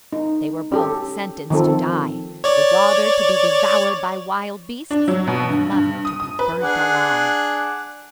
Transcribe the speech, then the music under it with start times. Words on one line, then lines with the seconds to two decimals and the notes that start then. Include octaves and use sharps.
They were both sentenced to die--the daughter to be devoured by wild beasts, and the mother to be burnt alive.
0.13 D#4
0.72 C#4 G4 A4
1.50 D#3 F3 C4 A4
2.44 C#5 D5
4.91 D4
5.08 F#3
5.27 B2
5.49 G2
5.72 G2
6.05 D#6
6.20 D#6
6.39 B4
6.63 D4 G#4 F#5